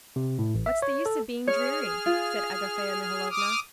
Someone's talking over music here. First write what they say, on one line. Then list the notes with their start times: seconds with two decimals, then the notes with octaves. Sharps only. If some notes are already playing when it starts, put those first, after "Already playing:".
"What's the use of being dreary?" said Agafea Mihalovna.
0.16 C3
0.39 A2
0.55 A1
0.66 E5
0.82 C#5
1.06 A4
1.47 G#4 C#5 F6
2.06 F4
3.30 D6 D#6 F6